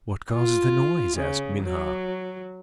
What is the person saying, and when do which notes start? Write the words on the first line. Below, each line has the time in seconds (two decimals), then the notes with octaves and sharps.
"What causes the noise?" asked Minha.
0.34 F4
1.17 C#3
1.63 F#3